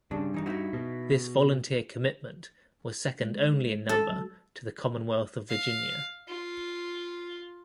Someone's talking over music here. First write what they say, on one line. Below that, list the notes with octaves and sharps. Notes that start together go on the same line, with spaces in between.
This volunteer commitment was second only in number to the Commonwealth of Virginia.
G2 C#3 D4
E3 D#4
D#4 E4 F#4
B2
G#3
A4
F#3
F5
F4